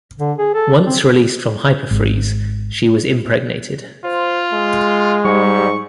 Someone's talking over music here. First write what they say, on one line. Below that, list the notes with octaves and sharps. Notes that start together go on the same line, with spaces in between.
Once released from Hyperfreeze she was impregnated.
D3
G#4
A4
C4
G#1
F4 C5
G#3
G#2 G3 C#6